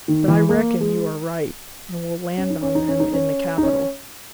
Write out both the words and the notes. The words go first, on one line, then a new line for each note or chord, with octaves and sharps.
"But I reckon you are right, and we'll land on them in the capital."
D#3
E3
A#3
G#3
C#4
D#4
C#4
D#4
C#4
D#4
C#4
D#4
C#4